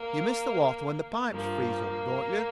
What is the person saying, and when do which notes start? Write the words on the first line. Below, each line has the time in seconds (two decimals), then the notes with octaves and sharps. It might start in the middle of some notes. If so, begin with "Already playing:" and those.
You miss the water when the pipes freeze up, don't you?
Already playing: A#3
1.29 G2 F3 A#3